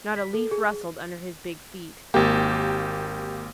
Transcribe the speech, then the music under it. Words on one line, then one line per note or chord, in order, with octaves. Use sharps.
Not a leaf rustled under his big feet.
B6
A4
G#4
G#1 A#3 G4